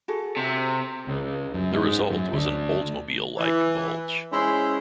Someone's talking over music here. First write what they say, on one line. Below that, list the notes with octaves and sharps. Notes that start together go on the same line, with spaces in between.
The result was an Oldsmobile-like "bulge".
F#4 G#4 A4
C3
C#2
F#2
G#2
F#2
D2
E3
G#3 C#4 E4 C5